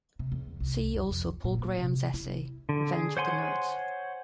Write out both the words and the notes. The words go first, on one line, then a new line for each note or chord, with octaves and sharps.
See also Paul Graham's essay "Revenge of the Nerds".
C3
E2
C2
F2
F2
A#2
A#3
C3
E4
D3
G#4
C5 C#5 F#5 G#5 C6